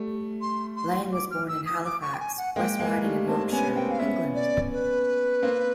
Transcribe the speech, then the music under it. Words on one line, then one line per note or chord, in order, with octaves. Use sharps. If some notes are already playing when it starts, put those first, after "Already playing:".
Lang was born in Halifax, West Riding of Yorkshire, England.
Already playing: G3 A3
C6
C6
D6
F6
E6
D#6
D6
C#6
G5
G#5
F#5
G#3 A#3 G5
G#3 A#3
G#5
G3 A3
A#3 C4 A5
B3 C#4 G#5
A#3 C4 G5
F5
B3 C#4 E5
D5
B4
A#3 C4